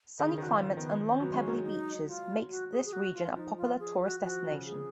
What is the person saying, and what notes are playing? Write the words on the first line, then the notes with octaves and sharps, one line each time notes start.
Sunny climate and long pebbly beaches make this region a popular tourist destination.
D#3 G#4
C#3
D#3 F#4
F3 F4
D#3 B3
C#4
F#3 B3
G#3 C#4
F#3
D#4
F4
F#4
G#4
G#4
F#4
F4
F3 D#4
F4
G#4
F#4
F3 F#4
C#3
G#4